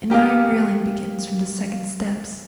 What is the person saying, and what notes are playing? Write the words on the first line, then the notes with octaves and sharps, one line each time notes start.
An iron railing begins from the second steps.
A#3 G4 G#4 F5